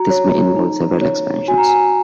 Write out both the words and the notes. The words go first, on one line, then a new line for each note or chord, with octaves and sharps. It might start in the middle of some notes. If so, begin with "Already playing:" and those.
This may involve several expansions.
Already playing: F#4 A#5
C#5
D#4
C#5
F#4 G#5
A#5
G#5